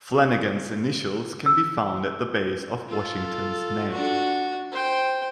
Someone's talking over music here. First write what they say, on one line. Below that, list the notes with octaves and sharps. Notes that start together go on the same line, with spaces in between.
Flanagan's initials can be found at the base of Washington's neck.
E6
F4 A4
D4 F#4
C5 G5